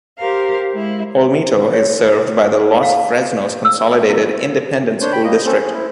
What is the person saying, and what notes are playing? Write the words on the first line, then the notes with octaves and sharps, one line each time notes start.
Olmito is served by the Los Fresnos Consolidated Independent School District.
G4 A#4 C5 F5
G#3 E4
C#5
F5
E6
E4
D4 C5 C#5 G6
G5 B5
A#3 D#5
C4 C#4 A4 C5
G#4
E4